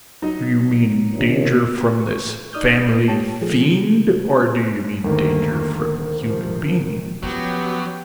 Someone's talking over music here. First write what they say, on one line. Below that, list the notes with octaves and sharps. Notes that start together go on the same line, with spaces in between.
"Do you mean danger from this family fiend or do you mean danger from human beings?"
F#3 D#4 D#5
A#1 D#2
C#6
D#4 D5 D#6 F6 G6
G4 C#5 A5
F3 G#3 A3 G#4
C3
D2 D#3 A3 A#3 A#4
C3 F3
F3 F#3 B3 C#4 G4